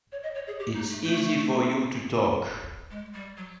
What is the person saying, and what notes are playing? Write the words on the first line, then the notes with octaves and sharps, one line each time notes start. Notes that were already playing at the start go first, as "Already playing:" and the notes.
It's easy for you to talk.
C#5
D#5
C#5
G#4
G4
D#4
A3
A3
G#3
G3
F#3